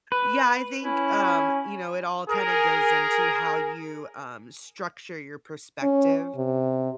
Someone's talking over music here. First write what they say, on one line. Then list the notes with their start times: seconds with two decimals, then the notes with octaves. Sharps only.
Yeah, I think, um, you know it all kinda goes into how you, um, structure your perspective
0.12 B4
0.85 C#4 E4
2.29 G#4 A#4
5.83 C#4
6.36 C3